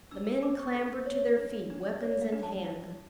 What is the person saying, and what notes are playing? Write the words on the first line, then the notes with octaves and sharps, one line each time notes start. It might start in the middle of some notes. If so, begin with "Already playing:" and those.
The men clambered to their feet, weapons in hand.
D4 E6
E6
D4 D6
C#6
A4
C#5
D4
D4
C#5 D5
F5
D4
A5
E4